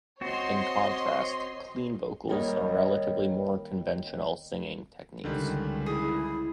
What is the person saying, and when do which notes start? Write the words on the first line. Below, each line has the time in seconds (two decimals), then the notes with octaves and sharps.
In contrast, "clean" vocals are relatively more conventional singing techniques.
0.21 C4 F#4 C#5 D#5 C6
2.28 D#2 G3 A#4 C#5 D#5
5.24 C#2 D3 D#3 G3
5.86 E4 G#4